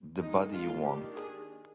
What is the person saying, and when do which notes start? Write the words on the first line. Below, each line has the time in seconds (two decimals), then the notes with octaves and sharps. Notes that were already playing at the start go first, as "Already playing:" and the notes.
The Body You Want.
0.22 D3 G#3 C4 D#4
0.54 F4
0.85 D#3 A#3 D4 G4
1.15 G#4